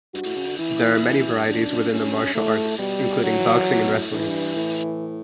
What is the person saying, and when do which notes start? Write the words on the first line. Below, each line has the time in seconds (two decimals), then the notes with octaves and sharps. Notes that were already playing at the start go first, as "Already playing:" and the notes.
There are many varieties within the martial arts, including boxing and wrestling.
0.14 G2 F#4
0.25 A2
0.36 C#3
0.47 D3
0.58 E3 E4
1.02 E3
1.18 E3
1.33 G2
1.46 E2 D4
1.69 F#2
1.91 G2 C#4
2.35 A2 A3
2.79 B2 G3
3.23 D3 F#3
3.39 E3
3.53 E3
3.68 E3
3.83 B2
3.97 A2
4.11 G2 E3
4.20 A2
4.27 G2
4.56 A2